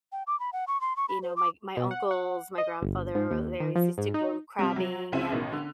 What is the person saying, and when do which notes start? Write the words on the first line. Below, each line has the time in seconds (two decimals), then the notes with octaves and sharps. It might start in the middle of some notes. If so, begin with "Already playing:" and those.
you know, my my uncles, my grandfather, they always used to go crabbing, and,
0.12 G5
0.27 D6
0.40 B5
0.53 F#5
0.68 C#6
0.81 C6
0.97 C#6
1.09 B5
1.23 C5
1.36 D6
1.77 B2
1.91 F#5
2.11 F#5
2.58 D#5
2.82 G1
3.15 G#2
3.31 D#2
3.60 D#3
3.75 F3
3.98 G#2
4.14 D#4
4.59 C3 G3
4.76 F#3
5.12 C#2 C4 E4 D#7
5.32 A1 B2 D#3
5.53 D3